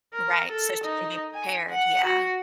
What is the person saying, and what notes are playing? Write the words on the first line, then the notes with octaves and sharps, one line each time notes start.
Right, so she can be prepared. Yeah.
A#4
A4
D#4
G#5
F#5
F#4